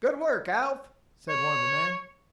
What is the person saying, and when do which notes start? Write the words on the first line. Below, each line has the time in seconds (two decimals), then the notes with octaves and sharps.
"Good work, Alf!" said one of the men.
1.29 C#5